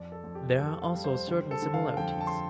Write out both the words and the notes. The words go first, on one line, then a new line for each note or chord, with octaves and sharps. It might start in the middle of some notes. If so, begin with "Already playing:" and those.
There are also certain similarities.
Already playing: F2 D5
A4
F2
G4
F2 A4
F5
G3
C5
D3 C5
A4
D3
F5
F2 G5
A5
C6